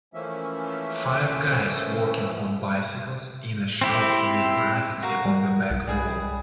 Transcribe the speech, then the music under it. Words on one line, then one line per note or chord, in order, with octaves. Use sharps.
Five guys working on bicycles in a shop with graffiti on the back wall.
E3 F3 A3 A#3 C#4 E5
C4 E4 G4
F#4 A#4 F5
G3
C2
G3 G#4 B4